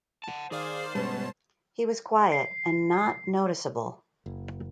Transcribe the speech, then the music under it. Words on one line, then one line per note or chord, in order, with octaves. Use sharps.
He was quiet and not noticeable.
F#5 A5
D#3 G#4 C5 D5 F5
G1 B2 G3 G#3 C#4 B4 A5
C7
F#1